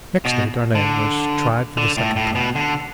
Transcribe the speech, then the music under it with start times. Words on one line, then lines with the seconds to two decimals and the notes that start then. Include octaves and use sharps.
Next day Darnay was tried for the second time.
0.25 B2
0.75 D3
1.77 D3
1.97 A2
2.16 A2
2.35 B2
2.55 D3